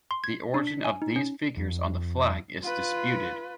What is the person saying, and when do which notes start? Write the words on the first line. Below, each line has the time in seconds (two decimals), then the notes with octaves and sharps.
The origin of these figures on the flag is disputed.
0.11 C6
0.24 G#6
0.54 D4
0.67 B6
0.84 G#5
1.02 D#4
1.16 C#4
1.57 F2
2.62 F4 B4